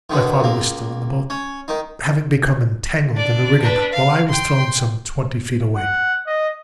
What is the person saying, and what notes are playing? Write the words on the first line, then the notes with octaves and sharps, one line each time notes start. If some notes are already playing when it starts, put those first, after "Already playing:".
My father was still in the boat, having become entangled in the rigging, while I was thrown some twenty feet away.
B2 D3 D#3
C#2 A#3
C#4
D#3 D#4
D4 D5
D4 B4
F5
G5 C6
F#5
D#5